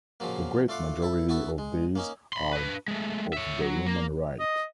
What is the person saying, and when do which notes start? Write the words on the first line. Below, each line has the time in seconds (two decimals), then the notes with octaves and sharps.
The great majority of these are of the Roman Rite.
0.20 A#2 C#3 F3 F#3 A#3
0.68 A3 F4 D5 F5 F#5
1.02 E4 A4
1.29 B3 E4 F#4 A4
1.58 G#3
1.95 A#3 C#4 D#4
2.33 B5 C6
2.53 D4 B4
2.88 G#3 A3
3.33 C#5 E5
3.61 F#3
3.86 A#3
4.39 D#5